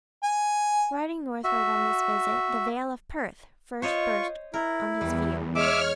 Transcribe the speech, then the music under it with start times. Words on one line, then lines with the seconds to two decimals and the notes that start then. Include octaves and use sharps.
Riding northward on this visit the vale of Perth first burst on his view.
0.23 G#5
1.44 F#4 E5
3.82 F4 C5 C#5 D#5 C#6
4.54 E4 A#4
5.01 E2 G3
5.55 G#3 C#5 E5 D6 F6